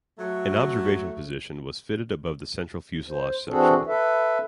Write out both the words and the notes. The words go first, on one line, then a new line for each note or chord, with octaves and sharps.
An observation position was fitted above the central fuselage section.
F#3 A3
C5
E3 C4 D4 F#4 G#4 A4
A4 B4 E5